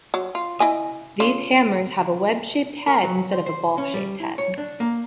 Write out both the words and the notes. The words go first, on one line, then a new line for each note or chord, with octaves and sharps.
These hammers have a wedge-shaped head instead of a ball-shaped head.
F#3
F4
E4 D#5 G#5
C#3 F4
A#4
F#3
C5
C5
C#4
G3
E4
C#5
D4
A#3